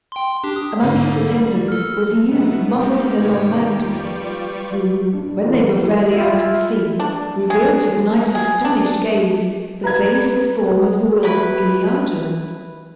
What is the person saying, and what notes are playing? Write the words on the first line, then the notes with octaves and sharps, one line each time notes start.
Among his attendants was a youth muffled in a long mantle, who, when they were fairly out at sea, revealed to the knight's astonished gaze the face and form of the wilful Guilliadun.
G5 C6
D4 G4
D#6
G#2 D3 A#3
G3
A4 F6
B2 A3 D#4 E5 F#5
G3 D#5 F5 F#5
G#2 C3 D#3 D#4 B4 C#5
F4 B4 D5 C#6
D4
E3
E3
E4 F4
D4
G#4
G#4
D4
B4 A#5 G#6
E4 B4 B5